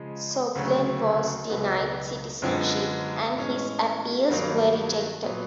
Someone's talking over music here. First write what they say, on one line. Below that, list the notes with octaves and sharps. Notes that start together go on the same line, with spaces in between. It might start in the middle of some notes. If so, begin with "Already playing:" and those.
Soblen was denied citizenship, and his appeals were rejected.
Already playing: C#3 F3 G#3
D2 C#3 F#3 A3
C#2 B2 F#3 B3 D#4
F#2 D3 F3 G#3 B3
A2 E3 G#3 C#4
G2 D#3 F#3 A#3 D#4
A#2 F#3 B3